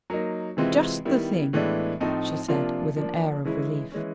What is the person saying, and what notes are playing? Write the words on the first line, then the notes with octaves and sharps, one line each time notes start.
"Just the thing!" she said, with an air of relief.
F#3 A#3 D#4
C3 E3 G#3 C4 F4
D#3 G3 B3 E4
A2 E3 G#3 B3 D4
A2 F3 A3 C4 D#4
C3 F3 A#3 D4 F4
F3 A#3 D4
C#3 E3 G#3 C#4 E4
E3 G#3 C#4